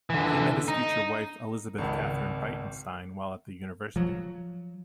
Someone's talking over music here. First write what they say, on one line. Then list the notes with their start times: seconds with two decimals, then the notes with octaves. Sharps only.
He met his future wife, Elizabeth Katherine Breitenstein, while at the university.
0.10 D3 E3
0.68 D#4
1.78 G#1 C#2
3.96 F3 F#3